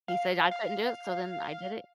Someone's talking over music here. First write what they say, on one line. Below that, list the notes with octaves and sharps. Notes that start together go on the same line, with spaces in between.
He said I couldn't do it, so then I did it.
F5
F5